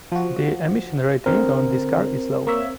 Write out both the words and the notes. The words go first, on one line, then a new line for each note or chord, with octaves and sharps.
The emission rating on this car is low.
F3 F#4
D3 C4 A#4 C5
A#3 C#5 E5